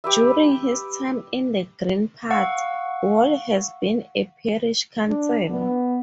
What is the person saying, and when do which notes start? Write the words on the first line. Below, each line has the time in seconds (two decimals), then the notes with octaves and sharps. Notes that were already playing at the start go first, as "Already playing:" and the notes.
During his time in the Green Party, Wall has been a Parish Councillor.
0.04 G4 B4 E5
2.30 F5 F#5 C#6 E6
5.08 D4
5.50 B3